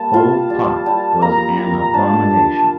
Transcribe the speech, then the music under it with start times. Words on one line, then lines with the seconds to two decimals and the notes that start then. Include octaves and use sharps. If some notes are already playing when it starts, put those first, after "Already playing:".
Pol Pot was an abomination.
Already playing: G3 A#3 A5
0.14 F4
0.50 G3
0.86 G3
1.22 A#3 A#5
1.58 F4
1.94 D4 A5
2.31 D4